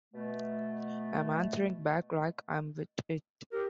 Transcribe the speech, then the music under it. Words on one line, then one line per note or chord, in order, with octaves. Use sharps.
I'm answering back, like, 'I'm wit it'.
B2 A3
G4 A#4